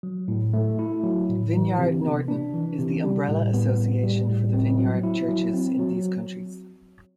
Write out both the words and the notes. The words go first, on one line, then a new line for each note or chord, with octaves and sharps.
Vineyard Norden is the umbrella association for the Vineyard churches in these countries.
F#3
A2
A3
E4
F#3
A2
E3
C3
B3
D4
E3
C3
G3
A2
B3
A2
G3
A2
C4
F#3
E4
F#3
C4
F#3